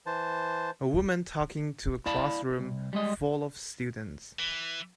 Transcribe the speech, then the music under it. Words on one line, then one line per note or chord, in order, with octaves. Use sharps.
A woman talking to a classroom full of students.
E3 C5 A5
E4 D5 F5 A5 B5
C2
G3 G#3 D#5
E3